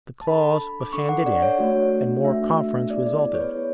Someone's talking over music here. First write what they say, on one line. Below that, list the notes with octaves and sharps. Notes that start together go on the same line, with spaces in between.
The clause was handed in, and more conference resulted.
A5
D4 A4 B5
D6
D4 A4 C#6
F#5
D5
C#5
A3 D4 F#4
A3 D4 F#4 E5
B3 E4 G#4 D5
D5
C#5
B4
B3 E4 G#4